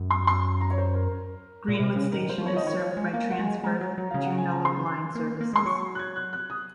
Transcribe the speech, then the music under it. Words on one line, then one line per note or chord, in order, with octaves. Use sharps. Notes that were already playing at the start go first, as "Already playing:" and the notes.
Greenwood station is served by Transperth Joondalup line services.
Already playing: F#2
C6
C6
A#5
C#5
C5
A#4
A#2
C3
C#3
D#3 A#4
C5
F3
C#5
F3 D#5
D#3 C#5
F3
G#3
A#3 F5
F#5
G#3
G#5
G#3 A#5
F#3
F#3
C#3 F5
F#5
G#5
A#5
C6
A#3
A#3
G#3 C6
F#3 C#6
F#6
G#6
F#6
F#6
D#6